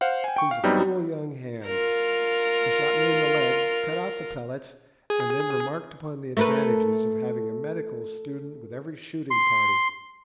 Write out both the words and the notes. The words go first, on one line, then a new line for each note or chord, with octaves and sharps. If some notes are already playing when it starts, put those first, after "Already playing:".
He is a cool young hand; he shot me in the leg, cut out the pellets, and then remarked upon the advantages of having a medical student with every shooting party!
C5 F5 F#5
G5 G#5
G5 C#6
F5
G2 F#3 G3 B3 C4 D#4
F4 A#4
G#4
A3 A#4 B4
C6